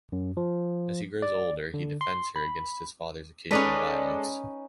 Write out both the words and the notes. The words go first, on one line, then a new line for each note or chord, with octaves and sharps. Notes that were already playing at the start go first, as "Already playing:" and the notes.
As he grows older, he defends her against his father's occasional violence.
F#2
F3
D5
D3
C6
B5
G#3 C#4 D#4 A4 B4 D5